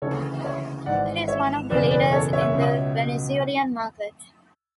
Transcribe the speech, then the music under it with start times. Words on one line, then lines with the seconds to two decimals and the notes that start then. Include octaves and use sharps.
It is one of the leaders in the Venezuelan market.
0.02 D2 C#3 E3 A4 C#5
0.44 C#5 E5
0.86 G#1 G#2 E3 D5 F#5
1.28 C#5 E5
1.70 F#1 E2 B2 B4 D5
1.90 B4 D5
2.12 A4 C#5
2.33 C#5 E5
2.54 C#2 B2